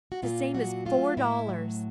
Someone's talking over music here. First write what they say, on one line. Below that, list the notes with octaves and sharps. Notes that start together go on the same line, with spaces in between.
The same as four dollars!
F#4
A#2 F4
F#3 F#4
A3 F4
A2 E4
F#3